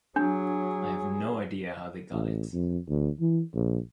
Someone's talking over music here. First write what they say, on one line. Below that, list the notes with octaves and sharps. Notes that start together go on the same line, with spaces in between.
I have no idea how they got it.
F#3 D4 G#4
A1
F2
D2
E3
A#1